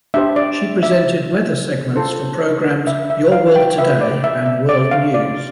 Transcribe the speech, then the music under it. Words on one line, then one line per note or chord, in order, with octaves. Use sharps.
She presented weather segments for the programs "Your World Today" and "World News".
D4 G4 C5 E5
D5
E5
F4 A4 C5
E5
E5
F5
G5
F4 B4 E5
D5
E5
E5
D5
F5
D5